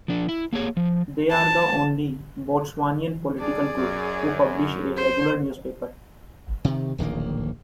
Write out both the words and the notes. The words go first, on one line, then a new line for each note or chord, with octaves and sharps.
They are the only Botswanian political group who publish a regular newspaper.
F3 D4
E4
A#3 G4 G#4 C#5
F3
A5
G3 D4 G#4 D5
F#2
C5
C3 D#3
D1 A#1 D#3 A#3